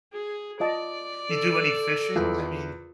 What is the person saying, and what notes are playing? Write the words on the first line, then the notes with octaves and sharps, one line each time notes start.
you do any fishing? I mean
G#4
F4 D5 D#5 A5
A4
E2 F4 A#4